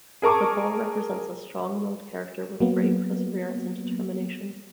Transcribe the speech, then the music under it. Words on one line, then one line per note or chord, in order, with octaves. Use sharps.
The Bull represents a strong-willed character with great perseverance and determination.
G#4 A#4 A5 C#6 D6
F#3 A#3 B3